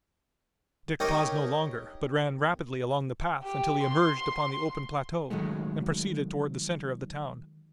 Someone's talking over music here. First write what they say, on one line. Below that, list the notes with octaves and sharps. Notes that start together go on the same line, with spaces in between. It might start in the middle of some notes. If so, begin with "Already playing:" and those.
Dick paused no longer, but ran rapidly along the path until he emerged upon the open plateau and proceeded toward the center of the town.
D#4 G4 A#4 C#5 D#5 G5
G4
C6
D#3 F#3 G#3 A3